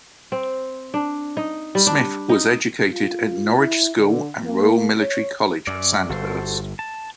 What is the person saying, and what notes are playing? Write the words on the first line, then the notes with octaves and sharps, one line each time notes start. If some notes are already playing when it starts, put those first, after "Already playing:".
Smith was educated at Norwich School and Royal Military College, Sandhurst.
C4
D4
D#4
G3
D4
D#4
F4
E4
D3
A#3
C#5
F#2 D5
G1 F#4 A4 C5
A5